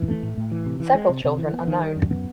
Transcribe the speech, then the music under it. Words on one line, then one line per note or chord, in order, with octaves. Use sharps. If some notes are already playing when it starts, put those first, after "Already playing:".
Several children are known.
Already playing: E3
A3
A2
A2
E3
C3
E3
G#3
C3
C3
E3
B3
D#3
G3
F#2
B3